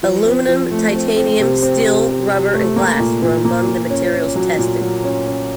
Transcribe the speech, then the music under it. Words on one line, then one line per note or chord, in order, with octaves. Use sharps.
Aluminum, titanium, steel, rubber and glass were among the materials tested.
F3
C4
F3
A3
C4
C4
C3
C4
C3
C3
C3
A3
A#3
A#2
A#2
A#3
A#2
C#4
C#4
F#3
A#2
F#3
C#4
C#4